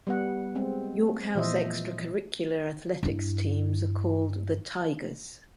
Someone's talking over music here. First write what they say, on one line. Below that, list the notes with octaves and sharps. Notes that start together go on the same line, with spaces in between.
York House extra-curricular athletics teams are called the Tigers.
G3 B3 F#5
G#3 C4
A#2 E3 F3 C5 D#5 E5
G2 E4